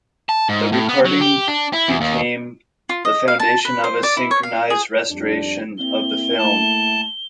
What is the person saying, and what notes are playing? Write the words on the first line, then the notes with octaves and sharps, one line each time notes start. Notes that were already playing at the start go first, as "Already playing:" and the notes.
The recording became the foundation of a "synchronized restoration" of the film.
A5
G#2
A2
B3
F#3
G4
D4
E4
E2
D#2
F4
D#5
F5
A5
B4
C5
D5
E4
C#5
F5
G#4
F2 G3 D4
A#3 C4 E4 G7
A3 A5